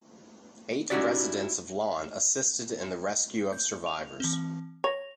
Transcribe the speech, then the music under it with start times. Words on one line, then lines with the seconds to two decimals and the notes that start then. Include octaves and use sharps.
Eight residents of Lawn assisted in the rescue of survivors.
0.90 C#4 D#4 E4 F#4 G4 D5
3.52 G6
3.86 F7
4.20 E3 C4
4.84 C#5 A#6 F7